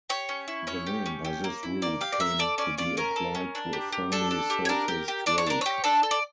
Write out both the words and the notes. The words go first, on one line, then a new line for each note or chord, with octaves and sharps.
The name by this route came to be applied to a firmly-surfaced road.
G4 C#5
C#4
E4
C#4 C#5
G4
C#4
G4
A#3
E4
A#3 D5
G4 F5
D5
A#3 E5
A4 D5
C#4 D5
F4 D5
C#4 A#4
A4
C#4
D4
G4
G4
D4 A4
D4
G4
C#5
D4 A#4
G4
G4
D4 D5
C#5
D4 A#4
G4 C#5
D4 A4
A4
D5